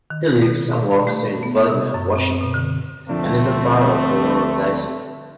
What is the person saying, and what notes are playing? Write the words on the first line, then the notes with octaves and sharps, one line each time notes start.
He lives and works in Bellingham, Washington and is the father of Lauren Dyson.
D#3
B2
F5
F5
A3
B3
E5
C3
F#2
C4
B2
D3
D2 F3 A3 C4 D4